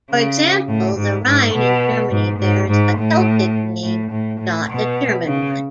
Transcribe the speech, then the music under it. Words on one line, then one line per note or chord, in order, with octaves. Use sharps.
For example, the Rhine in Germany bears a Celtic name, not a German name.
C#3
A2
G#2
G#2
B2
G#2
G#2
G#2
A2
A2
A2
A2
B2
C#3